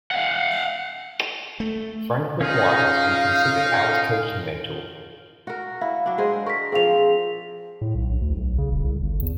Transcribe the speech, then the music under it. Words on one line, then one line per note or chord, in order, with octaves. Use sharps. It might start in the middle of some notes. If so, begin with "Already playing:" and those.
Frank McGuire has been considered Al's coaching mentor.
F5 F#5
A3
C#4 D#4 F4 G#4 F5
F#4 A#4
E4 F5
F#3 D4
G#3 G#4 C5
A#4 C#6 B6
F3 C4 G#4 F5 F7
A2
B1
A#1
D2
B1
C#3
D#1
C2
G1
E2